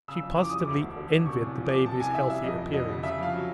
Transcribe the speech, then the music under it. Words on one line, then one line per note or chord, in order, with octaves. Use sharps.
She positively envied the baby's healthy appearance.
C#3 E6
F2
E3 D6
G3 D#6
D6
D2
E1
D3
E1
C3 C#6
E2
F3
E2 D6
C3 A5
C2 G#5
E3 E5
G3 E5
F2 D#5
F1
D3 D#5
G3
C#3 E5
F2 F5
F#3